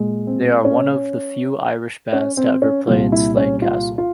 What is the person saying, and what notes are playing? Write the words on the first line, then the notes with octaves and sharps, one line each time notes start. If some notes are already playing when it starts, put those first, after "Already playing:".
They are one of the few Irish bands to ever play in Slane Castle.
Already playing: A#2 G#3
C4
C#4
C#4
C4
C#4
C2 A#2 G3 F4
E4
C#4
F4
F4